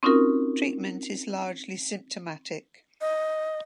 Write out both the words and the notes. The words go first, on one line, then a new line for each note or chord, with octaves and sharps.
Treatment is largely symptomatic.
C4 C#4 D#4 F4 F#4 A#4
D#5